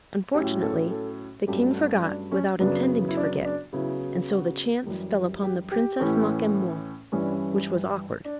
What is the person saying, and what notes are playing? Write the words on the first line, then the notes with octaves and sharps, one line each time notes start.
Unfortunately, the king forgot without intending to forget; and so the chance fell upon the Princess Makemnoit, which was awkward.
A2 F#3 C#4 G4
A4
A4
G2 F#3 A3 C#4 G4
F#4
D4
C#4
F#2 C#3 F#3 B3 D4
E4
D4
D4
C#3 F#3 B3 E4
F#4
F#2 E3 G3 G4
G4
G4
A2 E3 A3 C#4
G2 E3 G3 C#4
D4
C#4
D4